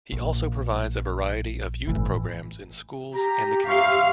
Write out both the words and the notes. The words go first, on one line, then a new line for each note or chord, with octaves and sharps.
He also provides a variety of youth programs in schools and the community.
A#1
G1 A2 E3
G4 A#5
E5 F5 C6 C#6